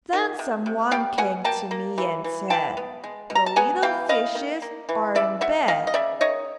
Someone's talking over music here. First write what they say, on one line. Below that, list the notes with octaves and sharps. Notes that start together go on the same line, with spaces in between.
Then some one came to me and said, "The little fishes are in bed."
D#3
C3
C3
G3 F5 G5
B2 F#5 G#5
A#3 G5 A5
A#3
E3
E3
E3 G5 A5
B3
G#3
B2
A#5
A5
B3 F#5 G#5
E3 F5 G5
B3 D#5 F5
D#3
A#3
E3
C#3 D5 E5
C#3 E5 F#5
C#3 D#5 F5
D#5
C#3 D5 E5
D#3 C#5 D#5